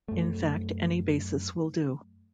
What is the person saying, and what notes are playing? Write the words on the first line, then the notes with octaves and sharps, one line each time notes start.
In fact, any basis will do.
F#2 A3